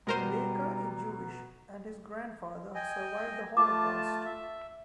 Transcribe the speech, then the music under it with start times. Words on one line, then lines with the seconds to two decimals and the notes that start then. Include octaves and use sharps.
Baker is Jewish, and his grandfather survived the Holocaust.
0.07 B2 G3 G#3 A#4 C5 A#5 D#7
2.75 D#5 G5 G#5
3.57 A3 F4 A5 D6
4.25 E5